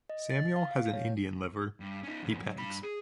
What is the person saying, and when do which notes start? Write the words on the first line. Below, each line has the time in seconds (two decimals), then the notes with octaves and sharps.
Samuel has an Indian liver. He pegs.
0.10 D#5
0.30 A6
0.56 F5
0.71 F5
0.93 C#5
1.80 G2
2.03 C#4 D#4
2.22 E2 G#2
2.42 F#3
2.56 G2 B5
2.84 G#4